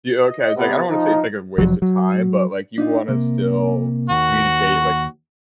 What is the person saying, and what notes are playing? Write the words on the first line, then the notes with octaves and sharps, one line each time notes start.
Do you? Okay, I was like I don't wanna say it's like a waste of time, but, like, you wanna still communicate. Like,
D#5
C3 B3
F3 D#4
F1 D#2 F3 F#3
F#3
D4 D#4 F4
C3 A#3
D#2 F#4